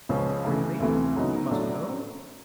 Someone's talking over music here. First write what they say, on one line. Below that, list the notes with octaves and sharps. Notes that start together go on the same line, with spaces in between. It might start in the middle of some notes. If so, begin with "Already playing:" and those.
Really--you must go?
C#2 C#3 F3 G#3 C#4
C#3 E3 A3
D2 C3 E3 A3
C#3 F#3 B3 D#4
A2 F#3 A3 D4